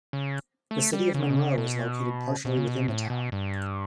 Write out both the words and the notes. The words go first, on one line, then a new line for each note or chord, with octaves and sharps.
The City of Monroe is located partially within the town.
C#3
A3
G3
C#3
B2
C#3
B2
B2
C#3
B2
A2
B2
G2